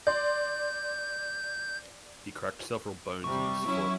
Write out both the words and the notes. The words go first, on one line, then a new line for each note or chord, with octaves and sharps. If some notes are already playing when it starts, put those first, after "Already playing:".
He cracked several bones in his foot.
D5 C6 G6
C3 G3 C#6
F#3 C#4 E4